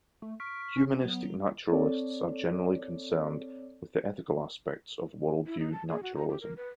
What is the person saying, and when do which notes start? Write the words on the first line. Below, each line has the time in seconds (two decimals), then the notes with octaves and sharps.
Humanistic naturalists are generally concerned with the ethical aspects of worldview naturalism.
0.22 A3
0.40 C#6 F6 B6 D7
0.77 C#4
1.05 F#3 B3
1.72 C4 A4 C#5 D5
5.46 E4
5.60 D#4
5.72 A5
5.88 G#4
6.03 F#4
6.16 A#5
6.29 G4
6.41 A#4
6.57 B4